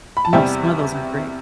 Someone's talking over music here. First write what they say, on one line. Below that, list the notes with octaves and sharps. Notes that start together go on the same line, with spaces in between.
No, some of those are great.
B5
A5
E2 C3 G3 E5 G5